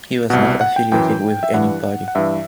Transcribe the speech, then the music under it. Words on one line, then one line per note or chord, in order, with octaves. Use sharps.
He was not affiliated with any party.
C2 B2 F#5
F#5
G5
F#2 E3 G5
E5
G2 E3 F#5
F#5
G2 E3 E5